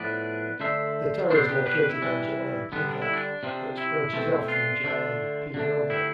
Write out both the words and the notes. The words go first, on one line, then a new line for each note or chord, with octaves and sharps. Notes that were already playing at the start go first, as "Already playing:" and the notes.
The Tower is located on Jalan Puncak, which branches off from Jalan P. Ramlee.
Already playing: A2 F3 B3 D4 B4 D5
D3 A3 D4 C5 E5
B2 B3 D4 A4 C5
G4 B4
G4 B4
G4 B4
E4
E3 G3 D4
D3 G3 B3
D4
E4
D4
C3 F3 C4
E4
B2 A3 C4
D4 F4
D3 A3 D4
D3 F3 A3 D4
E4 G4